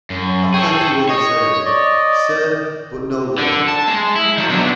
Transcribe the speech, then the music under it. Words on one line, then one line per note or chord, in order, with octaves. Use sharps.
I thank you all the same, sir, but — no lawyer!
F#2
G#4 A4 G5 C#6
C#5 D#5
D5 D#5
D3
A5
G#3
E4
D#3 F#3
B2 D4